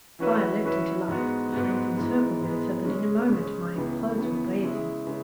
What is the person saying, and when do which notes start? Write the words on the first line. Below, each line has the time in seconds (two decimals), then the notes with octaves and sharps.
The fire leaped into life; the flames encircled me so that in a moment my clothes were blazing.
0.19 E3 C#4 F#4 B4 E5
0.64 E3 C#4 F#4 B4 E5
1.08 G#2 G#3 B3 F#4
1.52 G#2 G#3 B3 F#4
1.96 G#2 E3 G#3 B3
2.41 G#2 E3 G#3 B3
2.85 C#3 G#3 C#4
3.29 C#3 G#3 C#4
3.74 C#2 C#3 E3 B3
4.18 C#2 C#3 E3 B3
4.63 C#3 G#3 E4
5.07 C#3 G#3